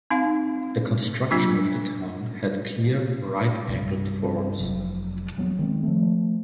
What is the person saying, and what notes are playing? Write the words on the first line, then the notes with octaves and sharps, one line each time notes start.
The construction of the town had clear right-angled forms.
C4 D#4 F5
F#3 A#3 D4 F4
C2 G2
F1 F#3
E1 F3 F#3 B3
D#3 G#3 C4
F3 A3